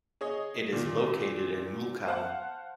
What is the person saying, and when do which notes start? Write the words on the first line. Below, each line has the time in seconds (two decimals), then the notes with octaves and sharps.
It is located in Mulkow.
0.21 G#4 C#5 D#5
0.73 A#2 D#3
2.08 C5 F5 F#5 A5 F#6